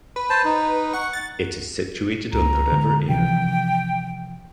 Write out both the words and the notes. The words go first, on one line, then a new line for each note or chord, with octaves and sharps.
It is situated on the River Ayr.
B4
C5 A5
D#4
F#5 C#6
A6
C#2 A#5
D3 G#3
C3 E3 F3 G5